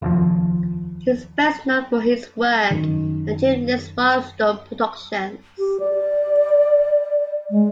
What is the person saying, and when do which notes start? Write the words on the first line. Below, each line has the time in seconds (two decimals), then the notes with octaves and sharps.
He is best known for his work at Jim Lee's Wildstorm Productions.
0.02 F1 D#2 F3
2.71 F#2 D#3
5.58 G4
5.80 D5
7.50 G#3